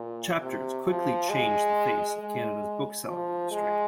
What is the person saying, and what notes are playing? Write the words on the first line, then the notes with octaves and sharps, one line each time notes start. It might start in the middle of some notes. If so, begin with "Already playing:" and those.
Chapters quickly changed the face of Canada's book selling industry.
Already playing: A#2
C3
F3
G#3
G#3
F3
G#3